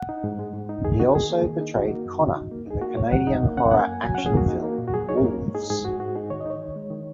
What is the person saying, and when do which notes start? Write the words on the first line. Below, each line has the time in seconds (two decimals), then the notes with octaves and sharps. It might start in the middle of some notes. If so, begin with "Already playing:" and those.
He also portrayed Connor in the Canadian horror action film "Wolves".
Already playing: F#5
0.09 D#4
0.24 G#2
0.39 G#3
0.54 G#2
0.69 D#4
0.85 D#3 G#4
1.00 D#4 F#4
1.15 D#3 G#4
1.30 A#3
1.45 D#3
1.61 D#4
1.76 D#4 F#4
1.91 A#3
2.06 F#2
2.21 C#3
2.36 D#4
2.52 A#3
2.66 D#4 G#4
2.81 A#3 F#4
2.96 G#2 C#5
3.12 F#3 F#5
3.27 D#4
3.43 A#3
3.57 C#4 F#5
3.71 A#3 F#5
3.80 G#5
3.88 F#2
4.03 F#3 G#5
4.15 C#4 F#5
4.26 G#4
4.34 A#3 F#4
4.48 D#4
4.64 A#3
4.79 A#2
4.88 F#4
4.94 F#3 G#4
5.09 D#4 C#5
5.17 A#4
5.24 A#3
5.40 G#2
5.55 D#4 G#4
5.70 G#2 G#4
5.85 G#3 F#4
6.00 G#2 F#4
6.16 D#4 G#4
6.30 D#3 C#5
6.41 D#5
6.46 D#4 C#5
6.61 D#3
6.76 G#3
6.91 D#3